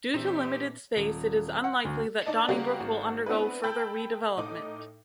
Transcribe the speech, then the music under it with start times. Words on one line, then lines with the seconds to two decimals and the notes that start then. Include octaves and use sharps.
Due to limited space, it is unlikely that Donnybrook will undergo further redevelopment.
0.14 A#2 E3 C4 D4 D#4 G4 C5 E5
0.96 D#1
1.64 F#5
1.85 D2
2.26 D4 D#4 D5 D#5 A5
2.48 C#3 G3 A#3 C#4 F#4 G4
2.80 G#1 F#4
3.26 B3 C4 D4 E4 B4
3.64 G5 A5 B5 E6 G6
4.37 A2 D#4 D6